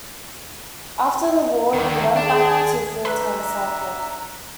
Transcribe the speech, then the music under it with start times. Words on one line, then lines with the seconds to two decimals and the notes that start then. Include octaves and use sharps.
After the war, he went back to full-time cycling.
1.73 D#2 D3 D#3
2.16 D4 G#4
3.05 D4 B4 E5 A#5